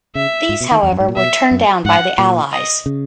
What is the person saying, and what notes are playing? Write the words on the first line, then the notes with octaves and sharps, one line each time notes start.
These, however, were turned down by the Allies.
C#3 E5
G#2
B2
D#3
E2
F#2
G#2
A#2
B2 E5
F#2
G#2 F#5
A#2
D#5
C#3